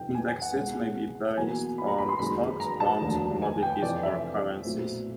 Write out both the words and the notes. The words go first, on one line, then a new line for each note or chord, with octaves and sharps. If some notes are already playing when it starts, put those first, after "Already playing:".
Indexes may be based on stocks, bonds, commodities, or currencies.
Already playing: F2 C3 D#3 G3 G5
G#5
G#5
F#5
C2 B2 G#3 F#5
E2 B2 F#3 A#3 G#5
B5
A#5
B5
C6
F#1 F#2 D#3 G#3 B5
A#5
A5
F1 D#2 D3 F#3
G#5
G5
F2 C3 E3 D5
E5
B1 A#2 F#3 A3 C4